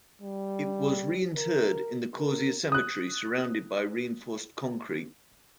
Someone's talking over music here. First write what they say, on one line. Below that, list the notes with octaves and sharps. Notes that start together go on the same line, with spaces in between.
It was re-interred in the Corsier cemetery surrounded by reinforced concrete.
G3
A#4
A#4
D#6 F#6